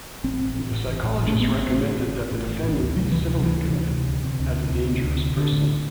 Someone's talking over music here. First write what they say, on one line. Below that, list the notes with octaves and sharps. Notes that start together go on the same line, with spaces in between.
The psychologist recommended that the defendant be civilly committed as a dangerous person.
A1 C4
A2
A1
A2
A1
A2
A1
A3
A2 B3
A1 C4
A2
A1
A2
A1
A2
A1
A2
D2
C3 F#3
D2 E3
C3
D3
D2 E3
C3
D2
C3
D2
C3
D2
C3
D2
C3
D2
C3
A1 D3
A2